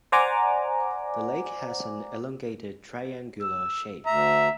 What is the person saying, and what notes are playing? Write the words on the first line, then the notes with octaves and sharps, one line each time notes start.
The lake has an elongated triangular shape.
C5 D5 F#5 G#5 A#5 D6
E6
D2 E5 A#5